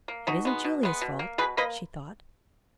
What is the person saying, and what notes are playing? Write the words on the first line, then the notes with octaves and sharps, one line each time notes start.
"It isn't Julia's fault," she thought.
A#3
B2 D#4 F#4
G#3 B3
B2
G#3 B3
B2
A#3
B2 G#4 B4
A#3 B4 D#5